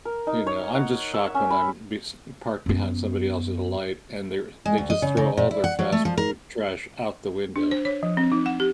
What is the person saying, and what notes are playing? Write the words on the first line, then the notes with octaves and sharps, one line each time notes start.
You know, I'm just shocked when I'm bes parked behind somebody else's light, and they're they just throw all their fast food trash out the window.
A#4
D#4
C#5
F#5
E5
C#4
B5
F#2 B3
G#3
D2
D#5
C#3
C#3
A#2
E4
F#5
F#3
A3
F3
A#4
D4
C5
C#5
F3
C4
D#4
F#5
G4